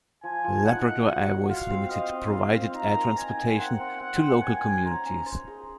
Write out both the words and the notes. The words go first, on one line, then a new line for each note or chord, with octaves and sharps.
Labrador Airways Limited provided air transportation to local communities.
F3 G#5
F3
D#4 F#5
D#4
F#3
F#3
F4 F5
C4
C5 D#5
C4
F4 F5
C4
D#4 A#5
A#4
D#4 G#5
D#5
C4 F#5
C4
C4 F#5
C5
D#5 G#5
C#4
C5 A#5
C#4
C5
G#4